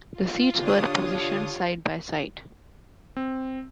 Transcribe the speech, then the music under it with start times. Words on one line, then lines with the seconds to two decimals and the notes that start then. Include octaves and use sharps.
The seats were positioned side-by-side.
0.12 F4
0.62 D3 D4 G4 C#5 D#6
3.17 C4